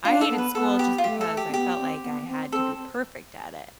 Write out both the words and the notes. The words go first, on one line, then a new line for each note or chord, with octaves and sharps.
I hated school just because I felt like I had to be perfect at it.
D4 F4
A4
B3
B4
B3 A4
G4
F4
A3 G4
A4
G4
C4
B3 G4
C4
B3
B3
C4
C4 A4